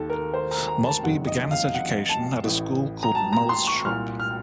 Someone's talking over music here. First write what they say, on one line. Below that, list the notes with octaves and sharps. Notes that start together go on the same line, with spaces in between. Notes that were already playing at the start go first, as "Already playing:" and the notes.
Mosby began his education at a school called Murrell's Shop.
Already playing: D#2 D#3 A4
A#4
C5
A#5
A#5
A5
F#1 F2 C3 D#3 F#5
D#5
F5
F#5
A5
A1 A2
A#5
A5
A#5
C6
C#6
C2 A#2 F6
F6